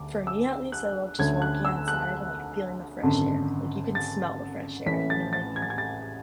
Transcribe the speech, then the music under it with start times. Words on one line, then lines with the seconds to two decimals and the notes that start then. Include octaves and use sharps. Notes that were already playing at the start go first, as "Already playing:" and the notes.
for me at least, I love just walking outside and, like, feeling the fresh air. Like, you can smell the fresh air, you know what I mean?
Already playing: D2 D3 D6
0.27 E6
0.72 F#6
1.18 D2 D3 A3 C#4 G#6
1.42 F#6
1.65 E6
1.88 F#6
3.03 G#1 F#2 D3
3.95 A6
4.86 A1 A2 E3 A3 C#4 B6
5.10 A6
5.33 A6
5.56 G#6
5.62 A6
5.70 G#6
5.78 A6